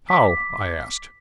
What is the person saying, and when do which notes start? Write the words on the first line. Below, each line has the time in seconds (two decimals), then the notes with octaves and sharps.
"How?" I asked.
0.09 D6 B6